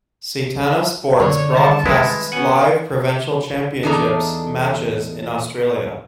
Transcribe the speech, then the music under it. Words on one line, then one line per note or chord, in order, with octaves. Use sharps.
Setanta Sports broadcasts live Provincial championships matches in Australia.
D3 D4 C#5
D#3 G3 G#4 A5
G#3 E4 B4
B3 C#4 F#5 G#5
E2 D4 D#4 G#4 A4 A#5